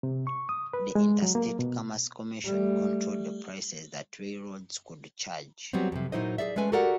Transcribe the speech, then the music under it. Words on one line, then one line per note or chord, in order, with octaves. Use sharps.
The Interstate Commerce Commission controlled the prices that railroads could charge.
C3
C#6
D#6
B4
G#3
F#3
A#3
B2
G3 A3
F#3 G3 B3 C4
F2 C3
A#2 F#3 D#4 E4 C5 D#5
G#4 A4 D5 E5
G#3 A3 C#4 B4 G#5
F#4 G4 A4 A#4 D5 F#5